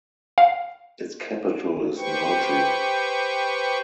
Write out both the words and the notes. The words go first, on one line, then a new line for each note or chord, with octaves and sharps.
Its capital is Nalchik.
F5
G4 B4 C5 G5 C#6